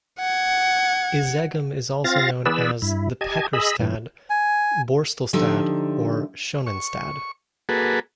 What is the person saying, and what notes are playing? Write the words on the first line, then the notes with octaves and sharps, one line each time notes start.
Izegem is also known as the "pekkerstad", "borstelstad" or "schoenenstad".
F#5 G#6
C4 F4 F5 A6 A#6
E3 B3 G#4 B4 D5 E6
G2 E4
G4 D#5 G#5 A5 G#6
G#4 D#5 B5 E6
G2 A#2 E3
G#5
D3 F3 D#4 G4 E5 A#5
C#6
A#3 F#4 G#4 A4 B4